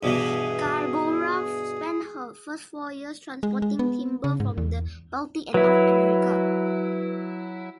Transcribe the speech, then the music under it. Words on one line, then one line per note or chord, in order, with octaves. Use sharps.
"Scarborough" spent her first four years transporting timber from the Baltic and North America.
G2 B2 E3 G#4
G#3
G#3
B3
C#3
G#2
E2
F#3 E4 B4